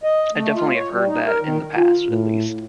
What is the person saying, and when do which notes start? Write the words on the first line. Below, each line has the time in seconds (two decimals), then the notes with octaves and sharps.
I definitely have heard that in the past at least.
0.03 D#5
0.34 A3
0.56 F4
0.75 C#5
0.92 G3
1.07 D#4
1.26 A#4
1.42 D#3
1.77 F4
2.10 A2